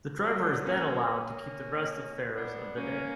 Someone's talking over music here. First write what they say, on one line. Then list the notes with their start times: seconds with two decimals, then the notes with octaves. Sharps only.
The driver is then allowed to keep the rest of fares of the day.
0.22 D3 F#3
0.65 A#3 C#4
1.07 A#3 C#4
2.35 B3 D4
2.77 A#3 C#4